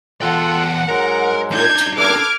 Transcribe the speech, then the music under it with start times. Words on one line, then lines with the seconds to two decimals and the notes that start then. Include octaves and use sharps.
good to note,
0.22 E2 F4 A4 F#5 G5 F#6
0.88 G#2 F#3 G#3 A#4
1.52 D4 D#4 G6 G#6
1.96 A4 B4 D6 F6 G#6